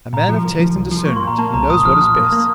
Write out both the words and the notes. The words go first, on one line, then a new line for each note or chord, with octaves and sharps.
A man of taste and discernment, he knows what is best.
A#2 A#5
F3
C2
F3
C2
F3
A#3 C#6
C6
A#2 A#5
A#3 A5
C2 A#5
A#2 D#6
F3 F6
A#2 F6
A#3
A#3